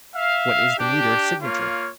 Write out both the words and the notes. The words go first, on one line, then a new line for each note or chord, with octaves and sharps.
"What is the meter-signature?"
E5 F5
D4 G4
A#3 F4 C#5